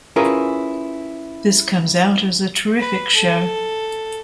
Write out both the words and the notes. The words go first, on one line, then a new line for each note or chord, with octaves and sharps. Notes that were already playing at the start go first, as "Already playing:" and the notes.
This comes out as a terrific show.
C#4 E4 F4 G#4 A#4 B4
B4
A4